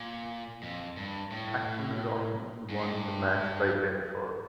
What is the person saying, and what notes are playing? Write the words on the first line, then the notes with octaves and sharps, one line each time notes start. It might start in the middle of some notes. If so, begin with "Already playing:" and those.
Axl Rotten won the match by pinfall.
Already playing: A#2
F2
G2
A2
G2
A2
G2